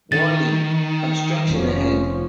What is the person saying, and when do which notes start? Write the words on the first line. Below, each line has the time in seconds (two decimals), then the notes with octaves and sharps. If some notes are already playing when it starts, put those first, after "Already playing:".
Warning! Obstruction ahead.
0.12 D#3 A6
1.47 F1 F3 C#4